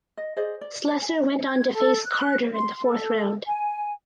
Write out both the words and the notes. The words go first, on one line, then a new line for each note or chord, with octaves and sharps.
Slessor went on to face Carter in the fourth round.
D#5
G#4 C5 D5 D#5
D5
C#5 A5
G#5
G#6
A4
F#6
C6
A4
G#5